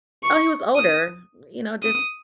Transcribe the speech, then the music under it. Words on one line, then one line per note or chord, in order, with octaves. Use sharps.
oh, he was older, you know; just
C#6
D#6
D#6